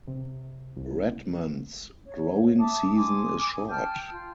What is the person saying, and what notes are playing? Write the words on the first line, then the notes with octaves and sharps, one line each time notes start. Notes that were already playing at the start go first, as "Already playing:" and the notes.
Redmond's growing season is short.
C3
C2
C#5
E5 A5 D6 D#6
G#5 C6 D6 D#6
G5 A5 F6 G6
F4